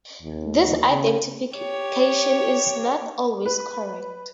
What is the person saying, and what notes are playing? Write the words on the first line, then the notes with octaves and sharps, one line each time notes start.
This identification is not always correct.
D#2
C#3
G4 C#5
B4